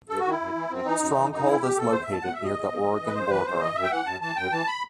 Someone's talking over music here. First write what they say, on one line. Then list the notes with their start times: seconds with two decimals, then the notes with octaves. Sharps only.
Stronghold is located near the Oregon border.
0.09 G2 A4
0.19 F#4
0.25 D#3 E4
0.40 F#2
0.55 E3
0.71 F#2 C4
0.85 E3 D#4
1.01 F#2
1.17 E3
1.31 F#2 D#4
1.47 E3 E4
1.62 E2 G4
1.77 B2 A4
1.92 E2 C5
2.03 B2 E5
2.13 A5
2.23 E2 F#5
2.33 B2 E5
2.44 D#5
2.54 E2
2.69 B2
2.84 F#2
3.00 E3
3.07 B4
3.15 F#2 C5
3.30 E3 B4
3.45 F#2 C5
3.60 E3 D#5
3.75 F#2 E5
3.83 G5
3.91 E3 F#5
4.06 F#2 A5
4.21 E3 A5
4.37 F#2 G5
4.52 E3 A5
4.67 B5